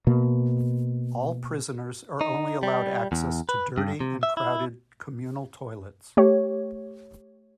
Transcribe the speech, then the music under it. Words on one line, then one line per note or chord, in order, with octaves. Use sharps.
All prisoners are only allowed access to dirty and crowded communal toilets.
B2 A#3
D#4
G3
E2
B4
G2
C3
E5
E4
A3 G4 C#5